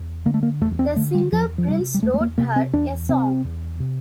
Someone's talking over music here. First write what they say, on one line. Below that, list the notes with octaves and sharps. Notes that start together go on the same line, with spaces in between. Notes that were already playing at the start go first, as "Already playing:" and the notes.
The singer Prince wrote her a song.
Already playing: E2
D3 A#3
A3
A#3
E2 A3
C4
D3 A3
G3
E2 F3
F3
C3 G3
G3
E2 A3
A3
A#3
C3 A#3
C4
E2 D4
C3 C4
E2
C3